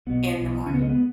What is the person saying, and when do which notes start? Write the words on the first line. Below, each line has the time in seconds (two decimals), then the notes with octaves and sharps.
in the morning
0.06 B1 B2 B3
0.36 B1 B2
0.66 C#2 C#4
0.70 C#3 B3
0.81 G#3
0.89 B3